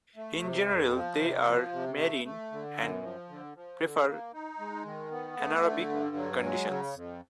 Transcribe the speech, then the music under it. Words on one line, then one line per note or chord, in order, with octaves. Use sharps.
In general, they are marine and prefer anaerobic conditions.
A3
C3
F2
F3
C3
F3
C3
A3
A3
D3
F#2
F3
D3
F3
D3
A#3
D#4
G#3
D#3
B3
A3
D3
G2
F#3
G#3
C#3
F2